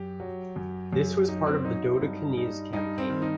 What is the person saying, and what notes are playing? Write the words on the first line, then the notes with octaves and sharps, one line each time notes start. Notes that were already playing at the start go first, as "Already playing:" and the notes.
This was part of the Dodecanese Campaign.
Already playing: F#2 G4
F#3
F#2
F#2
F#3 D#4
C4
F#3 D#4
E4
C4
G2 D#4
G3 D#4
G2 D#4
C4
D#3
D#4